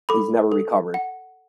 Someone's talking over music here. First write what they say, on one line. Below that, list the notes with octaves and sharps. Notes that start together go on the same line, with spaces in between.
He's never recovered.
A4 B5 D6
A4
F#5